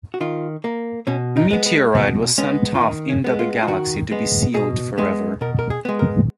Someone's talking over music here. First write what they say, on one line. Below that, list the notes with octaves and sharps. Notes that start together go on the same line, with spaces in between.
The meteorite was sent off into the galaxy to be sealed forever.
F#4
D#3 F4
A#3
B2 C#4
D#4
G#3 B3
B3
B2 B3
G#3 B3 C#4
F4
D#3 D#4
C#4
G#3 B3
F4
F4
D#3 F#4
G#3 B3
B2 G#4
G#3 B3
B2 A#4
A#4
G#4
G#3 B3
A#4